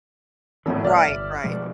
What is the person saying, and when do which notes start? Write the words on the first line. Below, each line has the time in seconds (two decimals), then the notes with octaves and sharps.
Right, right.
0.66 G#1 F2 A2 E3
0.84 C2 D5 E5 F6
1.08 G1
1.44 B2 F3 G#3